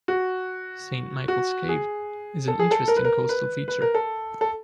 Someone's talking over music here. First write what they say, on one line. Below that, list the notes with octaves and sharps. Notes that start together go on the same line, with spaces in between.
Saint Michaels Cave is an interesting coastal feature.
F#4
F#4
G#4
A4
G#4
A4
A#4
B4
A#4
B4
B4
A#4
A4
A4